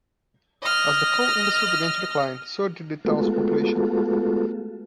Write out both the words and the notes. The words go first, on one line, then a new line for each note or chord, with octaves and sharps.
As the coal industry began to decline, so did the town's population.
D#5 F6
G#3 A3 B3 F4 F#4 A4